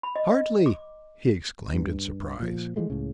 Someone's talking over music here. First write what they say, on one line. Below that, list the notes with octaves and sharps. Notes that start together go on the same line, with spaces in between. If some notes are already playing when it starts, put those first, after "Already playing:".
"Hartly!" he exclaimed, in surprise.
B5
D#5
D#5
D6
G2
A#2 F3
E3 F3 G#3 A3
C#2 A2 C#3